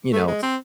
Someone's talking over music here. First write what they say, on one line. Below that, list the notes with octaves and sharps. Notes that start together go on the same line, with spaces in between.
you know, s
A3
G#3
C4